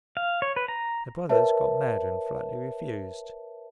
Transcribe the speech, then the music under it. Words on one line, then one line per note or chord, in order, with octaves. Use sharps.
The "brothers" got mad and flatly refused.
F5
C#5
B4
A#5
A#4 B4 C#5 E5 A5